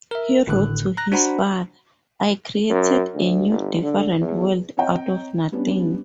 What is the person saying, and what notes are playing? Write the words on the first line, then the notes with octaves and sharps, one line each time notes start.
He wrote to his father: I created a new, different world out of nothing.
A#4 E5
G#1 A2 D3 F#6
A#5 F#6 A#6
D4 F#4 C5 F#5 A#5 B5
F#2
D2
G1
D3
E2
C4 C#5 D#5 G5 A#5
G3 B3 C#4 D4